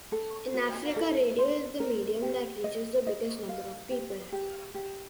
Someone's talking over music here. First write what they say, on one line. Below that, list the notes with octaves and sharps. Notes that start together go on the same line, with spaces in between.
In Africa, radio is the medium that reaches the biggest number of people.
A4
F#4
A4
C5
A#4
G4
D#5
D#5
F5
G4
G4
G4